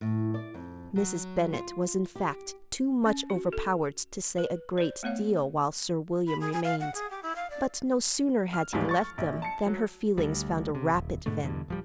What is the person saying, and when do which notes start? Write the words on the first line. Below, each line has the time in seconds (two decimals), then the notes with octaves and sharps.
Mrs. Bennet was in fact too much overpowered to say a great deal while Sir William remained; but no sooner had he left them than her feelings found a rapid vent.
0.01 A2
0.34 D5
0.54 F2
0.96 F#3
1.53 F4
2.15 G4
3.06 C#4
3.30 F#4
3.53 A4
4.38 B4
4.78 C5 D5
5.03 A3 B3 C#5 F5
6.27 B5
6.40 G#4
6.53 G#5
6.64 F5
6.80 F#5
6.94 G#4
7.10 G4
7.23 E4
7.36 F5
7.50 D5
8.53 F6
8.73 D2 G#2 E3 F3 G3
8.89 C#6 A6
9.18 A#1
9.42 A5 C#7
9.66 F#3
10.18 D2 G3
10.75 C3
10.93 D#1
11.26 G#2 B2 D3 A3
11.43 E2 G2 B2 D3
11.68 D1 F3 G3